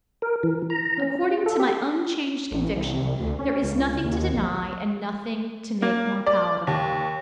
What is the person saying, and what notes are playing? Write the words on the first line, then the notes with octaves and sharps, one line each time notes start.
According to my unchanged conviction there is nothing to deny and nothing to make more palatable.
A#4
E3
A#5
C#4
F4
A4
G4
A1
C2
D2
C#4
C#2
D#2
A#1
A#3
D5
D#2